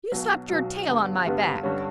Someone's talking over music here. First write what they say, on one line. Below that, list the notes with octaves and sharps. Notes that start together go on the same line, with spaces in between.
"You slapped your tail on my back!"
B1 B2 F#3
B1 B2 F#3
G2 D3 G3 B3
G2 D3 G3 B3
G2 D3 G3 C#4